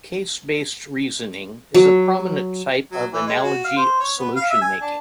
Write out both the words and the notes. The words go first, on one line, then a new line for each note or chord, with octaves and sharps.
Case-based reasoning is a prominent type of analogy solution making.
F#3
F#3
E3
G#3
F#4
F5
C5
C#5
B3
F5
E5
G#5
D4